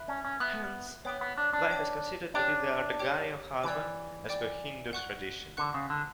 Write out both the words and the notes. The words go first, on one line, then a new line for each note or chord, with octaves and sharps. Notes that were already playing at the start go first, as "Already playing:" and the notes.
Hence wife is considered to be the Ardhangani of husband as per Hindu tradition.
Already playing: E5 B5 F#6
C#4
C#4
B3 E5 B5 F#6
B3 C#5 G5 D6
B3
D4
D4
C#5 G5 D6
D4 G4 C#5 G5 D6
G4 C#5 G5 D6
E3 D5 G5 D6
D5 G5 D6
F#5 C#6 F#6
D3 F#5 C#6 F#6
C#3
D3